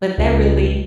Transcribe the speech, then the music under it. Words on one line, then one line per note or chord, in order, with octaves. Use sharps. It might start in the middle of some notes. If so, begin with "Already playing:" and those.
but that really
C#2